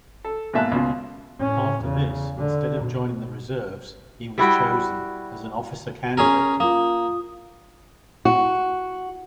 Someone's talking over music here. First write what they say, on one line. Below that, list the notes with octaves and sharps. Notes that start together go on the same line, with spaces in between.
After this, instead of joining the reserves, he was chosen as an officer candidate.
A4
G#2 B2 A#3 E5 A5 F#6
C#2 B2 F4
A2 C#4
E2 C#3
D3
B2
G3 E4 F#4 G5
C#4 G#4 A#4
A#3 F4 D#6
F#4